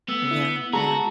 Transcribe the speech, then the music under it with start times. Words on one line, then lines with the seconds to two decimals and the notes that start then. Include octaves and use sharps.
Yeah, yeah.
0.08 A3 B3 E6
0.31 E4
0.73 G#3 F#4 G#4 A5 A#5